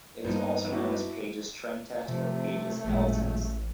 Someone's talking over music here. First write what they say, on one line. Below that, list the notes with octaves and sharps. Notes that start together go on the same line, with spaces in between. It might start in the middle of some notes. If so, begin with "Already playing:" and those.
It is also known as Page's trend test or Page's "L" test.
G2 A#3 B3 D#4 C5
D4 E4 F#4
C3 F3 A3
A1 F#2 A#2 G#3